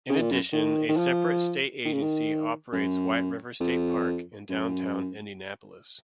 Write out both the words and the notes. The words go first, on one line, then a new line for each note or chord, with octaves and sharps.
In addition, a separate state agency operates White River State Park in downtown Indianapolis.
C#3
A#2
F#2
D#3
D#3
F3
D#3
C#3
D#3
F#2
F2
F#2